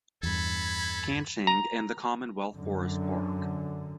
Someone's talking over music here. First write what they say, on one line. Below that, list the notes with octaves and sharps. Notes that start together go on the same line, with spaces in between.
Kanching, and the Commonwealth Forest Park.
E2 G2 A4 B5 G#6
A#5
F#2 D3